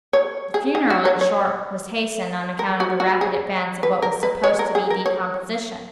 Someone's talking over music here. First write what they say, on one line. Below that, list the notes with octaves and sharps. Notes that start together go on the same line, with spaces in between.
The funeral, in short, was hastened, on account of the rapid advance of what was supposed to be decomposition.
C#5
G#4
G#4
F#4
C#5
C#5
A#4
F#4
F#4
G#4
B4
A#4
B4
C#5
A#4
G#4
A#4
C#5